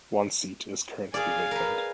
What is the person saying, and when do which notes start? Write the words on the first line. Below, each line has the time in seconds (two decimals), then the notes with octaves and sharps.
One seat is currently vacant.
1.14 G#4 D5 F5 G#5
1.51 A#4 B4